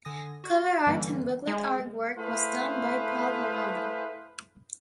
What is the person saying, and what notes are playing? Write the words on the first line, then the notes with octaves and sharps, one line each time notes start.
Cover art and booklet artwork was done by Paul Romano.
D3 G#5 D#6 A#6
F#4
G2 D3 E3 G3 A#3 C#4
G#3
A3 E4 G#4 B4 C5 F5